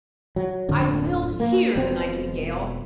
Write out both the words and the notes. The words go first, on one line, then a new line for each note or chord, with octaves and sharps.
I will hear the Nightingale!
F#3
D1 F2 D3
A#3
E1 F2 B2 C4